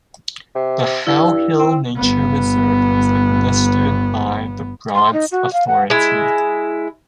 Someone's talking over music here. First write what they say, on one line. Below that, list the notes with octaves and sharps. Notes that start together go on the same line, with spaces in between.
The How Hill Nature Reserve is administered by the Broads Authority.
C3
G2 E4
C4
G1 B3
C6
D#4
F#4
F5
F#5
G#3 E4